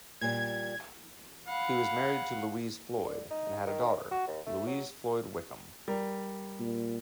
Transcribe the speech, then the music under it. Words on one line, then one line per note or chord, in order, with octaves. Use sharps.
He was married to Louise Floyd and had a daughter, Louise Floyd Wickham.
A#2 G3 G#6
F5 F#5 B5
D3
D#4
D#3
F#4
D#2
A3
F#3
G3 A#4
A#2